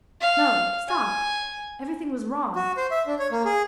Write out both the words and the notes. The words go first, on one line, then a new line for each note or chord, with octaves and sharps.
No, stop! Everything was wrong.
F5
G#5
F#4
C5
E5
D4
C#5
A#3
G#4